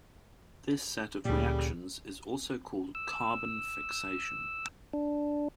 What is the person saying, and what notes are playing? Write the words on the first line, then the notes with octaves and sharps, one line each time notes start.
This set of reactions is also called "carbon fixation".
D2 A#2 C#3 G3
E6
D4